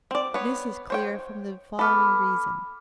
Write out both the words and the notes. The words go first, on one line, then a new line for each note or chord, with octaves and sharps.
This is clear from the following reason.
C4 D5
B3 C#5
C5 C#5 G5
B3 A4 B5 D6 F6